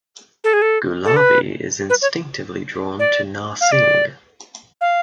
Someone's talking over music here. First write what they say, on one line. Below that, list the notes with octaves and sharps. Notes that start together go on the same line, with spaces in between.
Gulabi is instinctively drawn to Narsingh.
A4
G#4
A4
A4
B4
B4
C#5
D5
F5
D5
F5